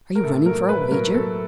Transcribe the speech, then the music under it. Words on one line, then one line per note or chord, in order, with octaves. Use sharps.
"Are you running for a wager?"
A#4
A2 A4
F#3 A#4
A2 B4
F#3 A#4
F#3 A4